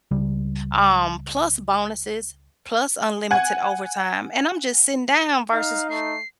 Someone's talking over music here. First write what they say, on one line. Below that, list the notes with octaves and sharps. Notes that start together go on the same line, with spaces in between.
um, plus bonuses, plus unlimited overtime, and I'm just sitting down versus
C#2 C#3 G3
F#5 G#5 G#6
D#4 F5
A3 C7